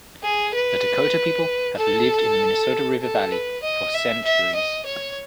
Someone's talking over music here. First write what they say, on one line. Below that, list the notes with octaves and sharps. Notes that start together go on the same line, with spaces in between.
The Dakota people have lived in the Minnesota River Valley for centuries.
G#4
B4
A4
A4
B4
D#5
E5
E5
D#5
C#5